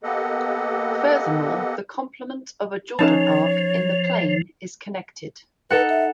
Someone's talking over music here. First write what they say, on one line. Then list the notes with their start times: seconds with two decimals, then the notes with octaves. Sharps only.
Furthermore, the complement of a Jordan arc in the plane is connected.
0.03 A#3 B3 G4 A4 D#5 F#5
2.99 F3 C#4 D#4 C#5 A5
5.70 D#4 A4 B4 F#5
5.89 E5